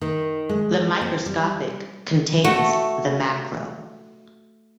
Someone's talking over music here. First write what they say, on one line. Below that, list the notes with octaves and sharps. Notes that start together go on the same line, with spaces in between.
The microscopic contains the macro.
D#3
G#3
C4
G3
A3 F#4